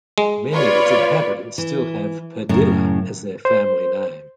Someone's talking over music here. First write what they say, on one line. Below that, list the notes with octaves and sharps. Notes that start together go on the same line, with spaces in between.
Many of its inhabitants still have "Padilla" as their family name.
G#3
F4 B4 C#5 D5 B5
E3
F#2 A2 C#3 C#4 A#4
C5